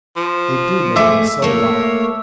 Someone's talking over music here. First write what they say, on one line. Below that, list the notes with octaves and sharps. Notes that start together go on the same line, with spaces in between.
They do make me so wild.
F3
A3 G#4 E5 D6
A3 A#3 C#5